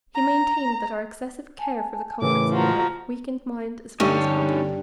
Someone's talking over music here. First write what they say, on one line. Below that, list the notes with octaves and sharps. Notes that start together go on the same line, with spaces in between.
He maintained that our excessive care for the comforts of life weakened mind as well as body.
A#5
G#5 A5
A2 C#3 E3 A#4 D6
F3 F#4 A#5
G2 D3 C#4 D#4 G4 A5